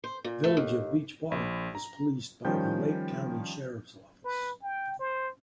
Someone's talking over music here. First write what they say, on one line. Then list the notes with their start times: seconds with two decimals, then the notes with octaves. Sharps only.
The village of Beach Park is policed by the Lake County Sheriff's Office.
0.04 C5
0.24 A#2
0.44 A3
0.57 D#2
1.32 A#1
1.75 A#5
2.45 D#3 F3 G3 C#4 G5 G6
4.25 B4
4.63 G5
5.00 C5